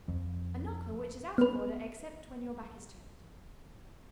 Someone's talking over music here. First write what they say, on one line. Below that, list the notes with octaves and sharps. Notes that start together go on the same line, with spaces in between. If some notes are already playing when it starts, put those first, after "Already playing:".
A knocker which is out of order except when your back is turned.
F2
B3 B4